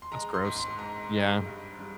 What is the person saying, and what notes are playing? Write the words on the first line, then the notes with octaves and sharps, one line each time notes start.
That's gross. Yeah.
C6
G#3 A#5
C6
G#2
C6
G#2 A#5
G#3
G2
G3